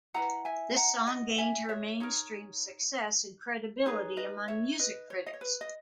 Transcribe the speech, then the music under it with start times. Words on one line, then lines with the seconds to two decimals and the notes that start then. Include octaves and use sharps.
This song gained her mainstream success and credibility among music critics.
0.14 E4 G#4 B4 F#5 A#5
0.45 E5 G#5
0.76 F#5 A#5
1.07 D#5 F#5
1.38 E5 G#5
1.69 C#5 E5
2.00 D#4 A#4 C#5
3.86 D#4 G#4 B4 C#5
4.17 B4 D#5
4.48 C#5 E5
4.79 B4 D#5
5.10 C#5
5.26 D#5
5.33 C#5
5.41 B4
5.61 D#5